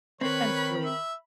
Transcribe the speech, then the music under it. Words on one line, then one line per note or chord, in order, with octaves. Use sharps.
"and sleep."
D#3 C4 B4 C#5 B5
E5